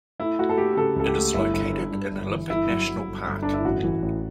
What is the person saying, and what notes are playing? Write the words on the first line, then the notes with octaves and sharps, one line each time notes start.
It is located in Olympic National Park.
A3 E4
A3 F#4
A4
A3 G4
G4
C#3 A4
C#2 A4
G4
A3
G1 E4
G1
G2
G2
G1
E3
G1 E4
F#3
F#3
G1
G1
G1 D4
E4
A1 F#4
E3
A1